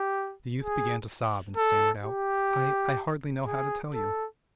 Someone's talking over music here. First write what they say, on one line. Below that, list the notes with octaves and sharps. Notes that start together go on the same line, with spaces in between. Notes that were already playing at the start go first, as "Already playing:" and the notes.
The youth began to sob, and stammered out: 'I--I hardly know how to tell you!
Already playing: G4
G#4
A4
G4
G#4
A4